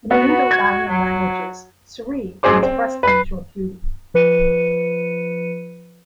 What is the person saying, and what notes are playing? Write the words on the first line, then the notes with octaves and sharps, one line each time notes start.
In Indo-Aryan languages, Sri means prestige or beauty.
B3 F#4
G#6
F#3
A1 F#3 G#4 C5 D6
C4
B4 C7
F3 B4 C#7 D#7